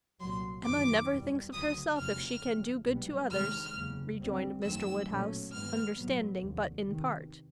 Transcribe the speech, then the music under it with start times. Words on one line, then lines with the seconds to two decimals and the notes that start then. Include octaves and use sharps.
"Emma never thinks of herself, if she can do good to others," rejoined Mr. Woodhouse, understanding but in part.
0.20 C2 A#2 F#3 C6
0.64 F#2 D#3 F#3 D6
1.09 E2 B2 G3
1.53 D2 C#3 F#3 D#6
1.97 F1 E2 C#3 F#3 F6
2.42 G1 F2 C3
2.86 B1 B2 G3 B3
3.31 E2 C3 D#3 G#3 F6
3.75 F#1 E2 C#3
4.20 D2 D3 G3 C4
4.63 F#2 D#3 F#3 A3 C4 E6
5.08 B1 A#2 F#3 A3 C#4
5.52 G2 D#3 G#3 B3 F6
5.97 B1 A2 F#3 B3
6.41 F1 D#2 D3
6.86 E2 C3 D#3